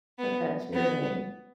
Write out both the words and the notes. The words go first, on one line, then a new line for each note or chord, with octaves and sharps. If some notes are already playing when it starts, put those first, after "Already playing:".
but that's your name.
B3
B3